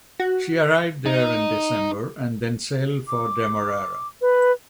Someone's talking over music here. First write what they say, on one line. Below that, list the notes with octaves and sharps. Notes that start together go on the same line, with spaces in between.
She arrived there in December and then sailed for Demerara.
F#4
D#4
D6
B4